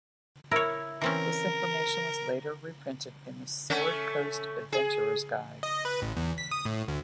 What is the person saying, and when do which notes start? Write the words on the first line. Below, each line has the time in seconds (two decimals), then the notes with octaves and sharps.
This information was later reprinted in the "Sword Coast Adventurer's Guide".
0.51 E4 A#4 C#5
1.02 E3 C4 C#4 A#4
3.70 A3 C#4 A4
4.72 G#4
5.63 D#5
5.85 B4
6.02 A1
6.16 E2
6.38 B6
6.51 D#6
6.65 A2
6.88 D2